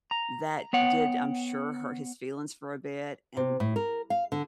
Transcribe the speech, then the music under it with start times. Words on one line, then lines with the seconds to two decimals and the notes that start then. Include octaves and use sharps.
that did I'm sure, hurt his feelings for a bit and
0.11 A#5
0.73 B3 C#5 F#5 G5
3.37 C3
3.60 A2
3.76 A#4
4.10 F5
4.32 D3